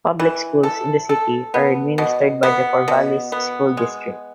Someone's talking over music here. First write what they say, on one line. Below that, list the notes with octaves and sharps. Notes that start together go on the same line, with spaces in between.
Public schools in the city are administered by the Corvallis School District.
E3
A4
A4
B3
B2
B3
B2
B3
G#3